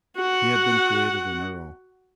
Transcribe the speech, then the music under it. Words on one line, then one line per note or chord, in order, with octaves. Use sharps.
He had been created an Earl.
F#4 F#5